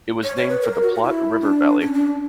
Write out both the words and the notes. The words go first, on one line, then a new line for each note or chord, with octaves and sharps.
It was named for the Platte River valley.
C#5
C#5
B4
A#4
F#4
F#4
E4
D4
C#4
D4